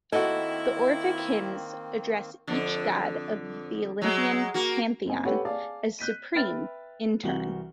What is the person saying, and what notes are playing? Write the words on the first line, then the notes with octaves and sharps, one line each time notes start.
The Orphic Hymns address each god of the Olympian pantheon as supreme in turn.
D#3 A#3 C4 E4 F#4 A4 D#5
F2 D3
F#3 G#3
A#3 F#4
F#1 C4 G#5
G4 A4 B4 C#5 F#5 G5
G#4 D5 F5 G#5 A5
F#6 G6 B6 D#7
B4 E5 G5 B5 F6 A6
C2 E3 F#4 F#7 G7